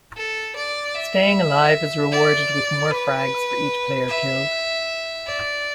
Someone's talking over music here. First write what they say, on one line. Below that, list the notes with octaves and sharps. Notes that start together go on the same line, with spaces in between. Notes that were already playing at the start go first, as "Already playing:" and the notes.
Staying alive is rewarded with more frags for each player killed.
A4
D5
E5
D5
B4
E5
D5